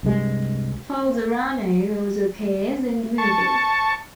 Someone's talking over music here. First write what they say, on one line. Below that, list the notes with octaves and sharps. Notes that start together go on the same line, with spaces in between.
Falzarano also appears in the movie.
C2 G2 G#3
A5 C#6